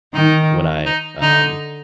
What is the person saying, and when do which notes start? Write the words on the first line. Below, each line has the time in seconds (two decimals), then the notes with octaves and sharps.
when I um
0.14 D#3 D#4
0.86 D#4
1.22 D3 D#4